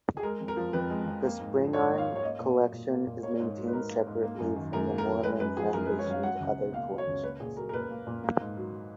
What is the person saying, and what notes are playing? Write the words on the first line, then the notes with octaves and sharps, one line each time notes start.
The Spingarn Collection is maintained separately from the Moorland Foundation's other collections.
G#4
G#3 A#4
F2
A#4
F3
F2 B4
G#3
F2
A#3
G#2
F3
G#2 C#5
A#3
F5
G#2
C#5
A#3 D#5
A#2
F#3
A#2
A#3
A#2
A#3 C#5
G#2
F#3
B4
G#2 A#4
A#3
G#2
A#3
F#2
D#3
F#2 A#4
A#3
A#4
F#2
G#3 B4
F#2 B4
F3 G#4
F#2 A#4
B4
G#3
C#5
F#2 F5
F#3 F#5
C#2
B2
A#3 F5
F#3
C#5
C#2
A#3 B4
A#2 G#4
F#3 A#4
A#4
A#2 B4
A#3
A#2
A#3
G#2
F#3